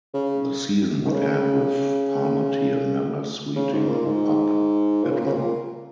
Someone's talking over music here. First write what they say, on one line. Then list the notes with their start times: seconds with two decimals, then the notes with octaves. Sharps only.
The season would end with Palmateer never suiting up at all.
0.14 C#3
1.05 D#3
1.12 C#3
3.56 C#3
3.73 G#2
3.88 A#2
4.06 G#2
5.03 A#2
5.11 C#3
5.19 A#2
5.26 C#3
5.34 A#2